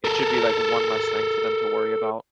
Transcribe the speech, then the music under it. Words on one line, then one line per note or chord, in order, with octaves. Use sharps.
it should be, like, one less thing for them to worry about.
A4 A#4